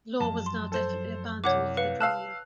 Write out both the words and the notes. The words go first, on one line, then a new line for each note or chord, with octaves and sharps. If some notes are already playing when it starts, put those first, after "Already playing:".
The law was now definitely abandoned for the drama.
F#2 F3 F#3 A5
C6
A4 C5
C2 C#5 F#5 D6
B4 F5 C#7
F5 A5 E6 F#6